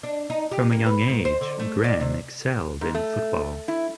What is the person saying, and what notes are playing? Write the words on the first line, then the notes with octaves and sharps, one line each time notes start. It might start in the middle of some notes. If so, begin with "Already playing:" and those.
From a young age, Gren excelled in football.
D4
D#4
G4
A#3
B4
G#2
C5
D3
A3
D5
C3
G#2
A3
E4